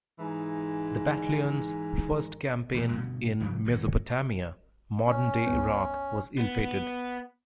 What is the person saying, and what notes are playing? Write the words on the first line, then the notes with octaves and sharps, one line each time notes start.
The Battalion's first campaign in Mesopotamia, modern day Iraq, was ill-fated.
G#2 E3 G#5 A#5
E1 B2 A3
G2 B2 D3
C3 F3 G3 A#3
G#1 F#2 A2
C#4
C#2 G2 B3
B3